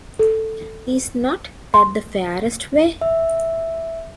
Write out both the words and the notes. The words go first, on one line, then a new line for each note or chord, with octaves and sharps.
Is not that the fairest way?
A4
C6
E5